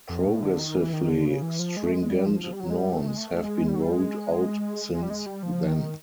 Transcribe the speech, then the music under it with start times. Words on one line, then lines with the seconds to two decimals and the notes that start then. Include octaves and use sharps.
Progressively stringent norms have been rolled out since then.
0.09 F2
0.26 A2
0.43 D3
0.59 D#3
0.77 E3
0.93 D#3
1.09 D3
1.26 C#3
1.42 E3
1.59 F3
1.77 G#3
1.86 A3
1.92 G#3
2.02 G#3
2.10 G3
2.26 F3
2.43 F3
2.53 G3
2.60 F#3
2.70 G#3
2.77 G3
2.93 A3
3.08 G#3
3.17 A3
3.43 G#3
3.68 G3
3.76 F#3
3.82 G3
3.93 G#3
4.94 G#3
5.03 G3
5.10 G#3
5.26 G3
5.43 F3
5.68 D#3